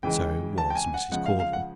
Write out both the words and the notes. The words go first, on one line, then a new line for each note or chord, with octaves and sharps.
So was Mrs. Caudle.
C#3 E3 G#3 G5
A5
G5
G#5
F#5
C#3 F3 G#3 F#5
F5
F5
F#5